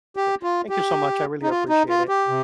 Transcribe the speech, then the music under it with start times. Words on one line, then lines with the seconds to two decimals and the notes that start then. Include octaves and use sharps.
Yeah. Thank you so much, I really appreciate it.
0.17 G4
0.43 F4
0.69 G4
1.43 D#4
1.50 F4
1.69 D#4
1.89 F4
2.09 G4
2.28 C3